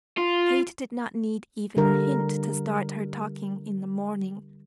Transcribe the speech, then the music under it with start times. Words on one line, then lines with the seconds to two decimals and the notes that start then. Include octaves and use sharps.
Kate did not need even a hint to start her talking in the morning.
0.17 F4
1.77 D3 G3 A#4